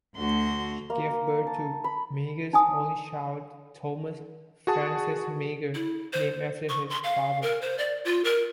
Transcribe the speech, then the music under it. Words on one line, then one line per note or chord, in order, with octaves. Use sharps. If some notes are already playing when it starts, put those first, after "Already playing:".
She gave birth to Meagher's only child: Thomas Francis Meagher, named after his father.
D2 D3 F#4 C6
A#3
A5
B5
D#4 G#5 D#6
F#4 G#4 A5 D#6
E4
C5
C#6
C6
F5
A#4
C5
D5
F4
A#4